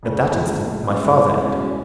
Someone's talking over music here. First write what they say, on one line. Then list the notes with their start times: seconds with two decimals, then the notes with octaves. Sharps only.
At that instant my father entered.
0.03 F2 C#3 E3 A3
0.31 C#2 C#3 F3 G#3
0.60 A#2 F3 A3
0.89 G2 E3 G#3 C#4 E4
1.17 G2 E3 G#3 C#4
1.45 B2 G#3 C#4